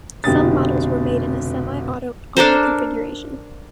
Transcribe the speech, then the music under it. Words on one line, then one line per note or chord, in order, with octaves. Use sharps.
Some models were made in a semi-auto only configuration.
F1 B2 D3 G4 D#6 A6
D4 A4 A#4 C5